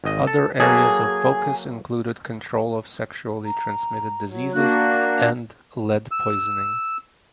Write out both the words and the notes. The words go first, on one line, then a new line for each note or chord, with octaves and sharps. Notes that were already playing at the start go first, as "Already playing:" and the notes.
Other areas of focus included control of sexually transmitted diseases and lead poisoning.
G#1 D#5
A4
F#3 A#3 G#4 A4
A#5
F#3
A#3 D4 F#4 F#6
E6